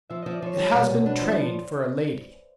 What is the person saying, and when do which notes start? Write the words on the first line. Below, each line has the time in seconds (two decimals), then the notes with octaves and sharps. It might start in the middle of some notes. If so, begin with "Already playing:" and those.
It has been trained for a lady.
0.10 F3 E5
0.22 F3 D#5
0.34 D5
0.42 F3 C#5
0.57 G3
0.74 B2
0.89 B2
1.05 D4 B4
1.18 F3 C5